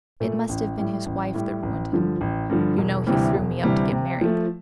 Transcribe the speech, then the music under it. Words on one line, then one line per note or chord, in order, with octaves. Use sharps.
It must have been his wife that ruined him; you know he threw me up to get married.
A#2 A3
A1
A2 G3
A1
A2 G3
A1
G2 D3 F3
A1
G2 D3 F3
E1
D2 C3 E3 G3
E1
D2 C3 E3 G3
C3
F3 A3